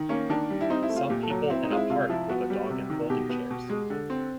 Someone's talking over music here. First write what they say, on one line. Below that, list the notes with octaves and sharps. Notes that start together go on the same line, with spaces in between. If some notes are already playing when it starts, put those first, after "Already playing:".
Some people in a park with a dog and folding chairs.
Already playing: D#3
A#3 C#4
D#3 D4
G3
E4
C4 D#4
E4
A3
F4
A#2 G4
A4
F#3
C4 E4
D#4
G#3 F4
E4
C3 F4
F3 E4
B3 F#4
G3
C3
D#3
B2 G4
B3
B2
G#3
D3
C4